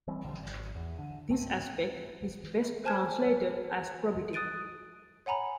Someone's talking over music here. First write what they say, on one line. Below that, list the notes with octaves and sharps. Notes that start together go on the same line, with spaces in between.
This aspect is best translated as probity.
E3 G3 C4 C#4
B1 D3 F3 G3
G#1
E2
D3
C#2 G#2 A3 C4
C5 G#5 A5 F6 G#6
C#5
D#6 F#6 A6 D7 D#7
C#5 F#5 G#5 A#5 B5